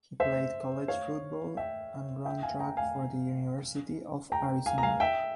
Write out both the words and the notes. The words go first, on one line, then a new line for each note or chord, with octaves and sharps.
He played college football and ran track for the University of Arizona.
C5 E5
C#5 F5
E5 G5
E5 G5
F5 G#5
G5 A#5
F5 G#5
G5 A#5
F5 G#5
A#5
F5 G#5
E5 G5